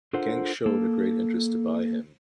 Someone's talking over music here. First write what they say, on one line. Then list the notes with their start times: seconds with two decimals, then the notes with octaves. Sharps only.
Genk showed a great interest to buy him.
0.13 D4 F4 A4 A#4 C5 F#5
0.66 A#3 A4